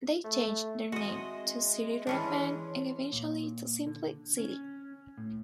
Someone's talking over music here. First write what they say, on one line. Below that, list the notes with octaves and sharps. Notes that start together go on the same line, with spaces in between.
They changed their name to City Rock Band and eventually to simply City.
A3
G#3 C4 F#4 D#5 E5 C6
E3 C#4 D4 C#5 C6
A#2
D3
C#4
A2